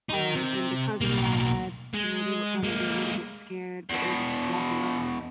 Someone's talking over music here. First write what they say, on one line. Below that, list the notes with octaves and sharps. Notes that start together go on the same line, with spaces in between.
um, and the cousin that I had, you know, they would kinda be a little bit scared, but they would just walk around.
D#4 A#4
C3
B1 A#3
G#3
G#3 A#3
E2 B2